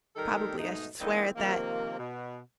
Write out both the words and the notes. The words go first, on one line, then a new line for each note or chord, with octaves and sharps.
Probably I should swear at that.
D#3 G3 D#4 G4 A4 A#4
G#2 B2 A3 D#4
E3 G#3 A#3 C4 D4 D#4
C3 D#3 F3 A#3
B2